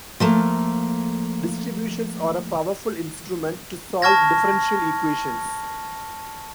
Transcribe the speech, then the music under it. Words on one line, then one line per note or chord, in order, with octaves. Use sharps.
Distributions are a powerful instrument to solve differential equations.
F3 A3 A#3
A5 C#6 F6 G#6 A#6